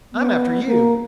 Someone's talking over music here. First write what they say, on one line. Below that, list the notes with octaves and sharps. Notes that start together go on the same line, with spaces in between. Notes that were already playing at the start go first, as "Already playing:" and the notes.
"I'm after you."
B3
A#3